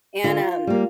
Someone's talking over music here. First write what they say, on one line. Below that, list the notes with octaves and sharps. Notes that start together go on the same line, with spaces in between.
and, um
D3 F4
G3 A#3